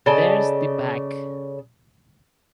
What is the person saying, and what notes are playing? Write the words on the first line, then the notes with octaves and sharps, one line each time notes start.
There's the back!
C#3 A4 D5 D#5